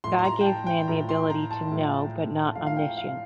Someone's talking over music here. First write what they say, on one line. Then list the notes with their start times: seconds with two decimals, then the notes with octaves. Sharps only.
God gave man the ability to know, but not omniscience.
0.04 A2 F3 C6
0.19 C6
0.25 A#5
0.41 G5
0.46 A5
0.67 G5
0.88 A2 F3 A#5
1.09 C6
1.30 A#5
1.51 A5
1.72 A2 F3
2.55 A2 F3 F5
2.66 F5
2.77 G5
2.97 F5